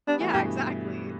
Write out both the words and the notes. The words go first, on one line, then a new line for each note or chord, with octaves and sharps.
Yeah, exactly.
G3 B3 D4
E3 A3
G2 B2 G4